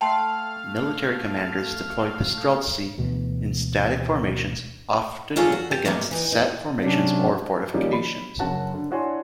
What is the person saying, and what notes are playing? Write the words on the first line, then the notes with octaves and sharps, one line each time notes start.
Military commanders deployed the streltsy in static formations, often against set formations or fortifications.
A3 F5 G5 A5 C6
D2 B2 E3
F#3 G3 F4 G#4 A4 C#5
F#4
G4
G#2 C3 F#3 A3 A#3
E3 D#4
D#4
C3 F#3 C#4 D4
D#3 F3 G3 A#3 C#4 D#4
B5
F#1 C#4 F#4 A5
D3
D4 E4 F#4 C#5 G#5 C6